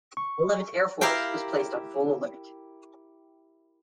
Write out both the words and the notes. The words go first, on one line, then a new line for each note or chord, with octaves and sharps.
Eleventh Air Force was placed on full alert.
C#6
E4 G4 A#4 F5 G5